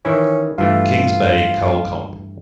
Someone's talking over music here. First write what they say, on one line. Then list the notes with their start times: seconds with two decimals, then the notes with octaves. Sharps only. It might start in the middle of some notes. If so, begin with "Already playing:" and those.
Kings Bay Kull Comp.
0.05 D#3 E3 C#4 E4
0.58 G2 E3 A3 F4